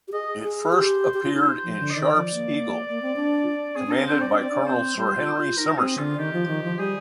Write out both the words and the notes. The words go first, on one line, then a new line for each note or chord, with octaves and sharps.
It first appeared in "Sharpe's Eagle", commanded by Colonel Sir Henry Simmerson.
G4
G#4 D#5
G#4
G4 C5
G4
F4
D#4
F3
D3
D#5
D#3 D5
F3
A#3
A#3
C4
D4
C4 G#4
D4 A#4
C4
D4 C5
C4 D5
D4
C4 D5
D4
C4
C5
G3 C5
F4
F4
D#4 A#4
C4 G#4
D3 F4
D#3 G4
F3
D#3
F3
G3 G#4